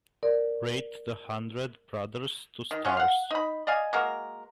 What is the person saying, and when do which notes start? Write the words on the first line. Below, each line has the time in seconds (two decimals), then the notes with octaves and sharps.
Rate The Hundred Brothers two stars.
0.23 A#4 D5
2.71 D#3
2.85 F#3 C#4 F4
2.97 F5 F#5
3.31 D#4 B5
3.67 D5 D#5 F5 G#5
3.93 G#3 A#3 F#4 A#4